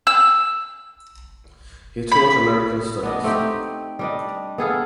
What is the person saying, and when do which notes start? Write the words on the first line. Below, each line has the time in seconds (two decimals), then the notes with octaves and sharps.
He taught American studies.
0.07 E6
2.12 B5
3.03 B3 D4 D#5
3.24 A3 C4 D#4 G4
3.99 G3 D4 D#5
4.58 B3 G#4 A4 F5